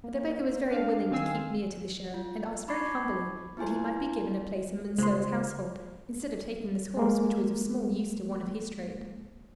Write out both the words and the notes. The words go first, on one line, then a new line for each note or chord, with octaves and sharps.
But the beggar was very willing to keep near to the Sheriff, and asked very humbly that he might be given a place in Monceux's household, instead of taking this horse, which was of small use to one of his trade.
A#3
D4 F5
D#3 C4 F5 G#5 E6 C7
F4
D#4 B5 C#6 D6 G#6 C7
B3 E4 F4 G#5 C6
C#2 G#3 C5 C6
G#3 A#3